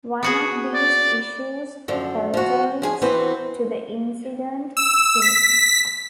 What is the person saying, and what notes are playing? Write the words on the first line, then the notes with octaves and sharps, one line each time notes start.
One of these issues pertains to the incident scene.
B3 F#4 G#4
D5
F#2 D3 F3
F3 F#4
F3 G#4 G#5
E3 B3 C4 F#4 B4 C5
E6
B6